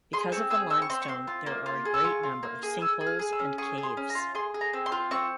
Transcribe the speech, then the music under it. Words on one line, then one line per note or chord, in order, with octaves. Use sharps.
Because of the limestone there are a great number of sinkholes and caves.
G#4 C6
C4 C#6
G#4 E6
C4 E6
C#6
C4 C6
C#6
C4 C6
F4
A#3
F4
G#4
E6
F4 C#6
F4
A#3
G#4
G#4 E6
G#4
F6
G#4
E6
C#4
G#4 C#6
G#4
C6
C#4
A#5
F4
G#4 C6
G#4
A#5
C4
C6
F4
C4 C#6